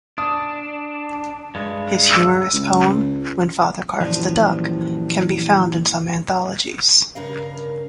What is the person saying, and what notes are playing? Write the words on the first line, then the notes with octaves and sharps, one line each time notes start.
His humorous poem, "When Father Carves the Duck", can be found in some anthologies.
D4 D#6
G2 G#3
E6
C#2
F#2 A#2 E3 F3 G3 D4
G2 C#3 A#4 F5